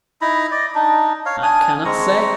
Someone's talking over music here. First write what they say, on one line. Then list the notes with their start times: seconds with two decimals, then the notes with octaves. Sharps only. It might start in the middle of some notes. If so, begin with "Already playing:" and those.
'I cannot say.
0.21 D#4 E4 A#5 B5
0.51 D5 D#5
0.75 D4 D#4
1.26 C#5 F5
1.43 D4 G#5 D#6
1.85 G#3 C4 A#5 C#6